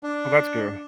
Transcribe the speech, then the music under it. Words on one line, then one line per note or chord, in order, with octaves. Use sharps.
Oh, that's good.
D4